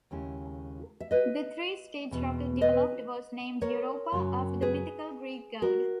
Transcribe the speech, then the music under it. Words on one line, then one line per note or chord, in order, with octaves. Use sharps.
The three-stage rocket developed was named Europa, after the mythical Greek god.
D#2 C#3 G#3 C#4 E4
E5
B4 D#5
E2 B2
B4 D#5
A#4 C#5
F#2 C#3 F#3 C#4
G#4 B4
F#4 A#4